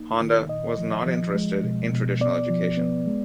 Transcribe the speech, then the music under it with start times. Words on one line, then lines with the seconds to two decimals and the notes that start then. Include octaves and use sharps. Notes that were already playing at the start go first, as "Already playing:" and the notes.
Honda was not interested in traditional education.
Already playing: A#3 D#4
0.21 D#3
0.49 A#2 D#5
0.78 F3
1.06 F3
1.34 G#3
1.63 B2
1.93 B2
2.21 B3 D5
2.50 F3
2.77 B3
3.07 G#3